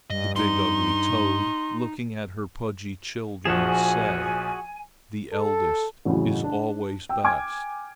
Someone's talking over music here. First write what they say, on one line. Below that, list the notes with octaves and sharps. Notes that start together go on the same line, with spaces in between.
The big, ugly toad, looking at her pudgy children, said: "The eldest is always best."
G2 D#5
D#4 C6
A#1 F3 F#4 G#4 G#5 E7
A4
A1 F2 A2 C#3 F#3
D4
G5 E6
G5 G#5 D6 F6 G#6